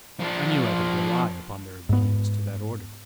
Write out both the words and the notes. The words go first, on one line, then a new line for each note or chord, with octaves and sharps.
I knew I could rely upon their obedience to that order.
F3 D4
G#2 B3